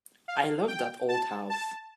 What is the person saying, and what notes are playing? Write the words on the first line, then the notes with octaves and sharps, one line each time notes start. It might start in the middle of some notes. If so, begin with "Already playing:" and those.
I love that old house.
F5
G5
A5
A5